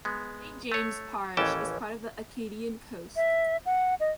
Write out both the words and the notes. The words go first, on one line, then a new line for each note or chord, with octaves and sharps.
Saint James Parish is part of the Acadian Coast.
G#3 B3
A3 C#5
A1 D#2 E3 C#4 G5 A5
E5
F#5
D#5